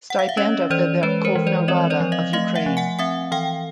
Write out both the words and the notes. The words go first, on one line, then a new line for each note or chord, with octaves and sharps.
Stipend of the Verkhovna Rada of Ukraine.
F#5
F5
E5
C#4 C#5 D#5
E3 C5 D5
G#3 B4 C#5
A#4 C5
E3
C5 D5
C4 C#5 D#5
C5 D5
F3
D#5 F5
A3 D#5 F5
E5 F#5
F3
F#5 G#5
C4 E5 F#5
E3 F5 G5